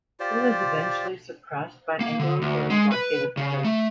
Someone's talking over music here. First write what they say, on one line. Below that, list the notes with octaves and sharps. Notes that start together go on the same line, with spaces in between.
It was eventually suppressed by an Anglo-German blockade of the coast.
F4 G4 C5 D5
A#3
D3
D2
G#3
B4
C#3
A3